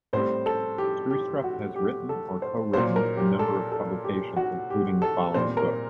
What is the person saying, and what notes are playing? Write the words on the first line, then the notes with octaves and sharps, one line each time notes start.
Stroustrup has written or co-written a number of publications including the following books.
A2 G3 C4 C5
A4
G4
G4
F#4
G4
A4
C5
A#2 F#3 A#3 C5
A#4
G4
A4
A4
G4
F#4
G4
A4
A#2 G3 C4 C5
A#4